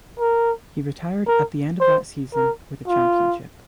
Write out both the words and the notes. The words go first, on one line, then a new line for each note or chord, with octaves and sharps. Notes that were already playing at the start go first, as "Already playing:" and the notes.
He retired at the end of that season with a championship.
A#4
A#4
C5
A#4
F4